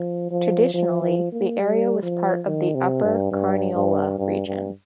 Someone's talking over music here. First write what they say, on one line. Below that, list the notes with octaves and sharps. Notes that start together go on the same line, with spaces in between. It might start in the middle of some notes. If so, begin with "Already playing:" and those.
Traditionally the area was part of the Upper Carniola region.
Already playing: F3
F3
F3
F3
A#3
G3
F3
D#3
C3
G2
G2
G2
G2
G2